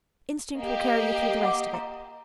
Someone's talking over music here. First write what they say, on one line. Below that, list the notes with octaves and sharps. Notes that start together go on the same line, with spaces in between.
"Instinct will carry you through the rest of it."
A#3 G4 D#5
F#5 D6
A#5